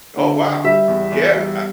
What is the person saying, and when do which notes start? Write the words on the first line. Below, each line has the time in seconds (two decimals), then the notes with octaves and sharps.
Oh, wow. Yeah, I
0.17 D3
0.41 D3
0.64 G3 E5
0.88 E2
1.12 E2
1.35 G3